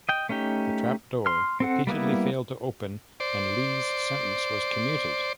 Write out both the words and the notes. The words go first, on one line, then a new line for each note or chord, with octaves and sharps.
The trap door repeatedly failed to open and Lee's sentence was commuted.
D#5 G5
A3 C#4 D#4 G4
C6 F6
C4 A4 F#5
G3 A#3 B3 E4
C5 D5